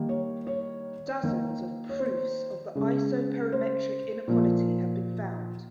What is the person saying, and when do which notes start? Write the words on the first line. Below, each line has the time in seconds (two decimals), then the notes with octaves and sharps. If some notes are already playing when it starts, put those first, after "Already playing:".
Dozens of proofs of the isoperimetric inequality have been found.
Already playing: D#3 G3 A#3
0.09 C#5
0.47 C#5
1.23 D#3 A#3
1.89 C#5
1.99 C5
2.75 C#3 G#3
3.52 C5
4.28 A#2 F3 A#3